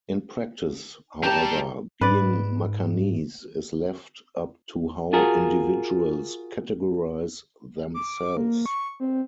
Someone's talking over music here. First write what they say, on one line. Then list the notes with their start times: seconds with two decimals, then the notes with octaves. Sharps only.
In practice, however, being Macanese is left up to how individuals categorize themselves.
1.23 G3 G4 A5 A#5
2.01 G#2 B4 D5
5.13 F4 F#4 G#4 A#4
7.94 D6
8.37 A#3
8.66 C#6
9.00 C4